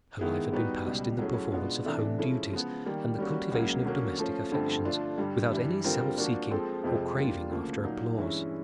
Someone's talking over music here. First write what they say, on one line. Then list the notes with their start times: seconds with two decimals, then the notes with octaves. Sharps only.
Her life had been passed in the performance of home duties, and the cultivation of domestic affections, without any self-seeking or craving after applause.
0.19 D#3 G#3 B3 E4 G#4
0.53 G3 B3 D#4 F#4 B4
0.85 C#2 B2 G3
1.18 F#3 A3 C#4 E4 G#4
1.52 B2 G#3 B3 D4 F4
1.85 C3 E3 A3 D4
2.18 F3 G#3 C#4 E4 A4
2.52 C#3 F3 G#3 B3
2.85 D#3 G3 A#3
3.18 G3 A#3 C#4 F#4
3.52 C#2 C#3 F#3 A#3
3.85 D3 F#3 A#3 C#4 F#4
4.19 F3 A3 C#4
4.52 G2 D3 F3 A3 C4
4.85 D3 F3 A3 D4 F4
5.18 G2 D3 G3
5.52 G2 E3 G3
5.84 D3 G3 C4 F4 A#4
6.18 F3 A#3 D4 F#4
6.51 F3 G#3 C4 F4 A4
6.84 F2 C3 F3 G#3 C4
7.17 G3 A#3 D4 F4
7.50 D2 C#3 F3 A#3
7.84 A#2 F#3 A#3 D#4
8.17 G2 E3 G#3 C#4 E4